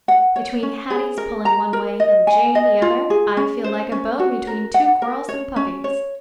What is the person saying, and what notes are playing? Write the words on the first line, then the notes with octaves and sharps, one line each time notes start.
Between Hattie's pulling one way and Jane the other, I feel like a bone between two quarrelsome puppies.
F#5
C#5
C#4
G#4
A#4
A#5
A#4
D#5
G#5
D#5
F4
G#4
C#4
C5
C#4
F#4
A#4
F#5
A#4
C#5
C#4
C#5